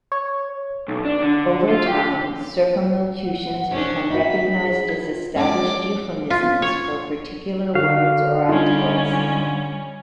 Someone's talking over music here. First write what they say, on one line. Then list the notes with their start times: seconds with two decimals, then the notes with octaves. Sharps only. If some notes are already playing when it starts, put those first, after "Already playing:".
Over time, circumlocutions become recognized as established euphemisms for particular words or ideas.
0.12 C#5
0.88 B1
1.05 D4
1.23 D3
1.69 F4
1.88 G4
3.25 F#5
3.71 C3 C#4 D4 C5
4.10 D#4 F#4 E5 B5
4.56 G#4
5.03 F4
5.36 G#3 C#4 D5 D6
6.30 F4
6.62 C#5
7.75 D3 F#4 F5
8.49 G3 C#4 D#4 F4